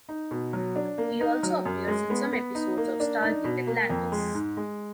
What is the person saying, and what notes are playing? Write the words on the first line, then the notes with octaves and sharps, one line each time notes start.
He also appears in some episodes of “Stargate Atlantis”.
D#4
B2
F#3
D4
A#3
D#4
F#3
F#2
G#3
B3
B3
D#4
A#3
D4
D#4
B2
A#3
F2
G#3
G#2
G#3